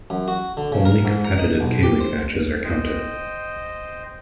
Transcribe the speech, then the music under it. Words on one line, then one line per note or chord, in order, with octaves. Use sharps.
Only competitive K-League matches are counted.
F#2
F#4
D3
C#3
A#4
G#2
A#5
D#5
B1
G4
C5
C5 D#5 G5